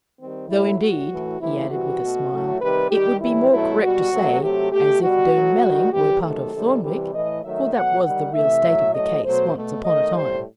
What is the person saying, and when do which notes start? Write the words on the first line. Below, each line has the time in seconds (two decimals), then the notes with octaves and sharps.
"Though, indeed," he added, with a smile, "it would be more correct to say, 'as if Durnmelling were a part of Thornwick'--for that was the real state of the case once upon a time."
0.20 D#3 G3 C4
0.50 A2 F#3 A3 E4
0.79 A2 G3 F#4
1.10 A2 E3 A3
1.40 C3 E3 A3 E4
1.70 C3 E3 G3 F#4
2.01 B2 A3
2.31 A2 F#3 A3
2.61 C3 D#3 G3 B4
2.91 D#3 G3 G4
3.21 A2 E3 G3 E4
3.51 B2 F#3 A3 E4
3.82 B2 G3 F#4
4.12 C3 F#3 A3
4.42 C3 F#3 A3 G4
4.72 B2 A3 G4
5.02 B2 G3 F#4
5.32 B2 F#3 A3
5.63 D#3 G3
5.92 C3 E3 G3 G4
6.23 C3 D#3 F#3 A3 A4
6.53 C3 D#3 G3
6.83 C3 E3 G3
7.13 A2 E3 A3 D#5
7.43 D#3 F#3 A3 E5
7.74 B2 F#3 A3 F#5
8.03 D#3 G3 F#5
8.34 C3 E3 A3 E5
8.64 A2 F#3 A3
8.94 A2 F#3 A3 D#5
9.24 B2 F#3 A3 C5
9.55 B2 A3
9.85 D#3 A3 D#5
10.15 A2 G3 C5